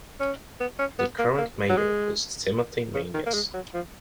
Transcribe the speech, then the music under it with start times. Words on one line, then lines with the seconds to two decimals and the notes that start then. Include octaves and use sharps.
The current mayor is Timothy Maniez.
0.20 C#4
0.60 B3
0.79 C#4
0.99 B3
1.19 A#3
1.38 A#3
1.69 F#3
1.77 G#3
2.94 C#3
3.14 D#3
3.26 A#3
3.34 G#3
3.54 F#3
3.74 F3